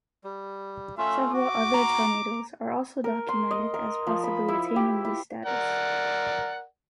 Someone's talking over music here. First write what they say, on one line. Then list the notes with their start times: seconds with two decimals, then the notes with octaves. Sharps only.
Several other tornadoes are also documented as possibly attaining this status.
0.24 G3
0.98 A3 C#4 F4 E5
1.33 F#4 D6
1.74 A#5
3.04 A#4
3.29 C6
3.51 D#5
3.74 A#4
4.07 F3
4.24 B5
4.48 E4
4.76 G4
5.05 E4
5.45 A#4 D5 F#5